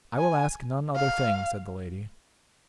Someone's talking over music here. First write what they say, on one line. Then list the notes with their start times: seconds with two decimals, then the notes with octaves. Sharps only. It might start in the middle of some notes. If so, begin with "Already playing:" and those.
I will ask none other thing, said the lady.
0.18 G#5
0.95 F5